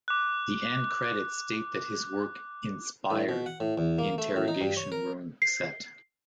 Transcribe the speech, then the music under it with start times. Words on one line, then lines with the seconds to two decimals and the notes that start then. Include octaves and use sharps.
The end credits state that his work "inspired" the Interrogation Room set.
0.08 D6 F#6
3.10 A2
3.29 B2
3.46 F#5
3.60 A2
3.78 E2
3.98 A#3
4.18 A3
4.36 A2
4.48 D#4
4.61 G2
4.77 C#5
4.92 A#4
5.42 C7